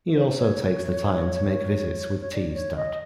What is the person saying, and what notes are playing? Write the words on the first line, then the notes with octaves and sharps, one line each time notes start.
He also takes the time to make visits with T's dad.
C5
C#5
C#5
D5
C#5
D#5